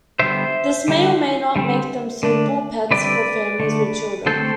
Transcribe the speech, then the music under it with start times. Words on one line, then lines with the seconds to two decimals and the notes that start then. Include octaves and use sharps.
This may or may not make them suitable pets for families with children.
0.19 D3 G3 B3 C5 E5
0.88 D3 G3 D4
1.56 D3 G3 C4
2.23 D3 A3 D4
2.91 D3 G3 C4 B4 D5
3.60 D3 A3 D4
4.26 D3 A3 C4 A4 C5